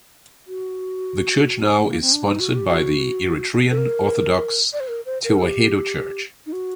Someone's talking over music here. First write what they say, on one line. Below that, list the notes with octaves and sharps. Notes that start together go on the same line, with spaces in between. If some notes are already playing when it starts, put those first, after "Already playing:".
The church now is sponsored by the Eritrean Orthodox Tewahedo Church.
F#4
A3
A#3
C4
D4
D#4
F#4
G4
F#4
A4
A#4
D5
C5
A#4
C5
A#4
A4
G4
D#4
F#4